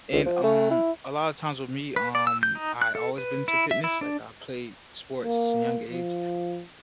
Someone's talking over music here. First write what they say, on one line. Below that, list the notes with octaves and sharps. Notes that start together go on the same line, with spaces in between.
And, um, a lot of times with me, um, I always been into fitness. Like, I played sports since a young age,
C#2
F3
A3
E4
B4
D5
E6
G6
D#4
F#6
A4
B4
E4
E5
E4
D4
A#3
F3